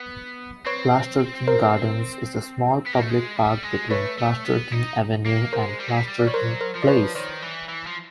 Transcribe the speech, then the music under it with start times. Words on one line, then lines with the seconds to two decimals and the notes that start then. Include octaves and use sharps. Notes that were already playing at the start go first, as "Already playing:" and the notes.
Plasturton Gardens is a small public park between Plasturton Avenue and Plasturton Place.
Already playing: B3
0.66 C4 B4 C#5
1.48 A#4 C5
2.87 B3
2.94 A#3
3.02 A3
3.10 G#3
3.36 G3
3.63 G#3
3.90 A3 B4 C#5
4.18 A3
4.45 B3
4.72 D#4
5.26 A#3
5.53 G#3 A#4 C5
5.80 G3
5.88 G#3
5.97 G3
6.08 G3
6.19 D5
6.27 G3 C#5
6.33 F#3 A#4 C5
6.61 A#4 C5
6.75 F3
6.82 D5
6.88 B4 C#5
7.15 D#3 C5 D5
7.42 E3
7.69 E3
7.87 F3